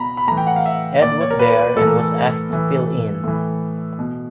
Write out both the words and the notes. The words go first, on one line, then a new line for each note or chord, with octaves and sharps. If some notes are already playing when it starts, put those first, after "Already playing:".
Ed was there and was asked to fill in.
Already playing: B2 A#5 B5
B5
A2 E3 A#5
G5
F#5
F5
E5
A#2 D5
C#5
A#4
B4
A#4
A2 E3 A4
A#4
A4
A2 E3
A2 E3
B2